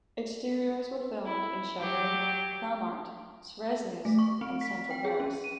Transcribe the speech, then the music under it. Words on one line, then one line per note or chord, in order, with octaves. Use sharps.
Exteriors were filmed in Chaville, Clamart, Suresnes, and central Paris.
E4
F#3 G4
A3
C#6
C4
B6
G5
G#4
C#4
D#7